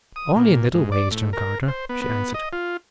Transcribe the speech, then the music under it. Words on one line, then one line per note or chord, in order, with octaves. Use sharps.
"Only in little ways, John Carter," she answered.
D#6
A#2
G#2
D5
A2
A#4
C5
B3
B3
D#5
F4